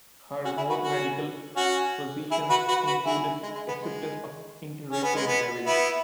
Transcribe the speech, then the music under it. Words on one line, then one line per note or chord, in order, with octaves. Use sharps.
Her more radical positions included acceptance of interracial marriage.
C#4 F#4
E4 G#4
F#4 B4
C#4 F#4
C#4 F#4
E4 G#4
F#4 B4
F#4 B4
F#4 B4
E4 G#4
G#3
G#3
B3
G#3
C#4
B3
G#3
B3
B3 E4